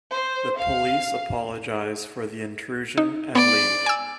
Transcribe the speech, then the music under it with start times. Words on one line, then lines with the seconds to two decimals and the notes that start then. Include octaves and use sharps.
The police apologize for the intrusion and leave.
0.12 C5
0.59 F5
2.98 D#4
3.35 B3 D5
3.86 G#5 E6